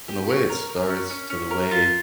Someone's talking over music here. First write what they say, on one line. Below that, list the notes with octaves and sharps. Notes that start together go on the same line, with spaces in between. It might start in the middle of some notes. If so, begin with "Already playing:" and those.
from the way it starts to the way
G4
C#4
A#4
A#4
C#4
C#4
C#4
A#4
F4